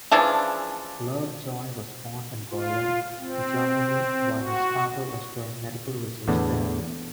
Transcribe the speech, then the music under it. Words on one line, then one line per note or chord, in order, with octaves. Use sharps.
Lovejoy was born in Berlin, Germany while his father was doing medical research there.
C#3 E3 F3 D4
F4
C4
F#4
E2 A2 D3 B3 D4